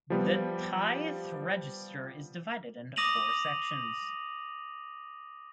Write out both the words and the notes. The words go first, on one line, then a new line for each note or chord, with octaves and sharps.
The tithe register is divided into four sections.
F3 G3 B3
D6 D#6 A#6 D#7 F7 F#7